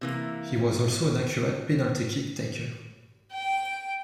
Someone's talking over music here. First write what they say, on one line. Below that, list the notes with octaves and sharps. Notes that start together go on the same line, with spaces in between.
He was also an accurate penalty kick taker.
C3 E3 A#3
G5